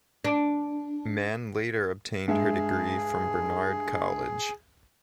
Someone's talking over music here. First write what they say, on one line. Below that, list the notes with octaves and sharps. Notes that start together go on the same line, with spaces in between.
Mann later obtained her degree from Barnard College.
D4
G2 G#3 G#4 E5